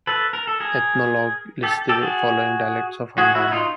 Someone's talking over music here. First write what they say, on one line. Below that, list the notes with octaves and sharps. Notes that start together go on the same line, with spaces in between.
"Ethnologue" lists the following dialects of Angami.
A4 B4
A#4
A4
G#4 A#4
G4 A4
G4 A4
F#4 G#4
F#4 G#4
E4 F#4
E4
D#4 F4